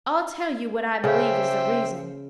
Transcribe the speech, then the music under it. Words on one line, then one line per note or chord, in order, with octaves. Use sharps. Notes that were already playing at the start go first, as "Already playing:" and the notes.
I'll tell you what I believe is the reason.
C#3 C5 E5 G5